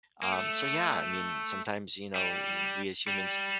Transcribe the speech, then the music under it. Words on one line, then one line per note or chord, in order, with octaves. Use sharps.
Um, so, yeah, I mean, sometimes, you know, w we as humans
A#3
A3
G3
G3